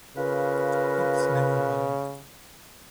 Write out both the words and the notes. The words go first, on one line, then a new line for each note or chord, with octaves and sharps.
It is never banal.
C#3 F4 A#4 B4